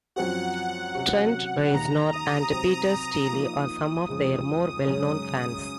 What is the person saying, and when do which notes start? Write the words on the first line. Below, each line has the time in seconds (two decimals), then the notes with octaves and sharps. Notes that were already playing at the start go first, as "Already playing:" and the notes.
Trent Reznor and Peter Steele are some of their more well-known fans.
0.16 F#2 F3 C4 F#4 F#5
0.95 C3 F#3 C#4 F#4
1.73 D#2 D#3 A#3 D#4 A#5
2.13 D#6
2.51 C3 F#3 C4 D#6
3.29 F3 A#3 D#4 D#6
4.08 F2 C#3 F3 G#3
4.86 F#2 C#3 G#3 C#4